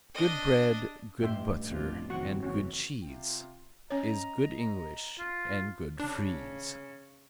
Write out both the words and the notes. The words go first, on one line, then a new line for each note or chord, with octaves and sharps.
Good bread, good butter and good cheese Is good English and good Friese.
D4 D#5
A1 G2 E5 G5 C6
F1 E2 C3 D4 F4
D#3 F#3 C4 F#4 F#5 C#6
C#3 E3 C#4 F#4
C3 C4 F4
C#4 C#5 D#5 A#5
F4
C#3 D4